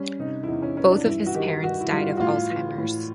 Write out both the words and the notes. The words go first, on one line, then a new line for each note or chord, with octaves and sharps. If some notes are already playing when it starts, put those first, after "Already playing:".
Both of his parents died of Alzheimers.
Already playing: G3 C#4
C3 D#4
E4
E2 D#4
C#4
E3 C#4
D4
G2 E4
F#4
D#3 G4
G2 F#4
E4
G3 F4
F#4
A2 F4
E3
A2